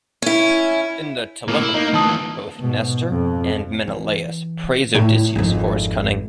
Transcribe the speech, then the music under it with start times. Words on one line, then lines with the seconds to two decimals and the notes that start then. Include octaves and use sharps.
In the "Telemachy" both Nestor and Menelaus praise Odysseus for his cunning.
0.22 C#4 E4
1.48 A2 A#3 B3
1.61 E4
1.74 A#3 D#4
1.94 D2 E3 A5 D#6
2.59 G#2 B2
3.10 F2
3.87 E3
4.95 A2 E4
5.36 G#1 F2